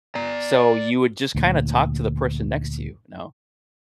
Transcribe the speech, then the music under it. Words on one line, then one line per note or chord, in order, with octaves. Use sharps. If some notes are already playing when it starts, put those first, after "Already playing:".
so you would just kinda talk to the person next to you, you know?
D5 A#5
D2 A#2